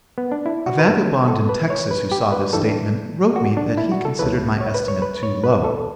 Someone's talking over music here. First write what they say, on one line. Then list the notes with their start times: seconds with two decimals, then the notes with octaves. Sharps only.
A vagabond in Texas who saw this statement wrote me that he considered my estimate too low.
0.18 B3
0.32 D4
0.46 E4
0.66 F#4
0.79 B4
0.87 G2 F#3 A3 A4
1.28 A4
1.49 B4
1.70 C#5
1.91 B4
2.12 G4
2.32 B4
2.53 G2 E3 G3 A4
3.36 F#4
3.57 D4
3.78 E4
3.92 F#4
4.05 A4
4.19 C#2 C#3 E3 B4
4.61 C#5
4.74 B4
4.88 C#5
5.02 B4
5.23 C#5
5.44 B4
5.64 A4